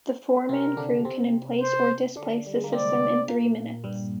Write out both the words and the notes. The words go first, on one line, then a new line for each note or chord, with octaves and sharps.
The four-man crew can emplace or displace the system in three minutes.
C3 C4 A#4
D3 D4
C3 C4
C5
D3 D4
G3
G#3
A#3
C3 C4 D5
A#2 A#3
G2 G3